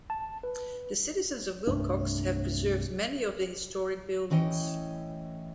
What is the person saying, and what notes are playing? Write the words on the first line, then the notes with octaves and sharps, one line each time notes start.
The citizens of Willcox have preserved many of the historic buildings.
A5
B4
C2 G2 A3 D4
A2 E3 C#4 D#5 G5